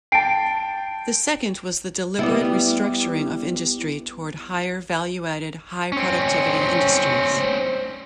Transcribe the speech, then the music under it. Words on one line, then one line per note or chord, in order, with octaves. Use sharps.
The second was the deliberate restructuring of industry toward higher value-added, high productivity industries.
G5 A5 C7 D7
G3 B3 E4
C4 C#4